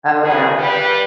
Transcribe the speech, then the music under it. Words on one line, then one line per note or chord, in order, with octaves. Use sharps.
Oh, yeah.
F3 G3 B3 G#4 B4
G3 B4